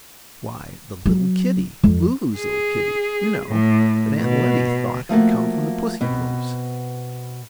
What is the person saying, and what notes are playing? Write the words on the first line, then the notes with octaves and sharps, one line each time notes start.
Why the little kittie; Lulu's little kittie, you know, that Aunt Lettie thought had come from the pussy-willows.
F#3
F2
G#4
A2
B2
F3 A3 A#3 F#4
B2 B3 C4